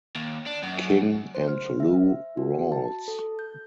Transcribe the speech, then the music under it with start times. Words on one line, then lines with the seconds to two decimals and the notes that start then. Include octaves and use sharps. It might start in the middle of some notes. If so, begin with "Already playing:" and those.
King, and Lou Rawls.
0.15 D#2
0.46 D4
0.63 F#2
1.35 C5
1.48 F6
1.80 E5
2.37 F#4
2.72 A5
3.08 A4
3.39 G6